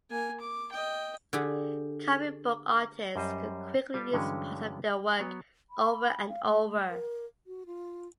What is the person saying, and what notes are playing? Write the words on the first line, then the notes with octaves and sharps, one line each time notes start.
Comic book artists could quickly use parts of their work over and over.
A#3 G#5
D6
D#5 G5
D3 G4 G#4
F#2 G3 C5 D#5
G3 F4 G4 A4
G2 D3 E3 F#3 G#3 C#4
F#3 B3 C#5
B5
F5
A3
A#4
F#4
F4